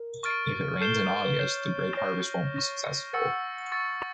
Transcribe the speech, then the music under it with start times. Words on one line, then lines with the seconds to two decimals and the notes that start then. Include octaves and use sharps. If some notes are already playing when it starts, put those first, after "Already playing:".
If it rains in August, the grape harvest won’t be successful.
Already playing: A#4
0.23 C#6 F6 A6 D7
0.80 A4 G6 C7 E7 G7
0.96 A#4
1.09 A#4
1.25 B4
1.39 C#5 G6 C7 E7 G7
1.97 C#5 C#6 F6 A#6
2.56 C#6 F6 A#6
3.13 F#5 C#6 E6 A6 C#7
3.72 C#6 E6 A6 C#7